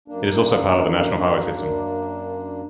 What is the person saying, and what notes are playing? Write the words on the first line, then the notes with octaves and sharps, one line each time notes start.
It is also part of the National Highway System.
F#2 A#3 D4